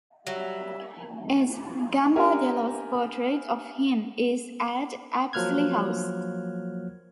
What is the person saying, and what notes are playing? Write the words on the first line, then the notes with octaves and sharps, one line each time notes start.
S. Gambardello's portrait of him is at Apsley House.
F#3 G3 E5
D4 G4 A#4 E5 G#5
F3 F#3 A#3 F6 F#6 G#6